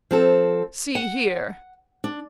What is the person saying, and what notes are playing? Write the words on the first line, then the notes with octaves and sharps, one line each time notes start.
"See here."
F3 C4 A4
F#5
D4